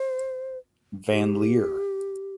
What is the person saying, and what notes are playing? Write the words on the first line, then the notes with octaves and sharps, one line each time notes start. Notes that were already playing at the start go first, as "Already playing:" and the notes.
Van Leer.
Already playing: C5
G4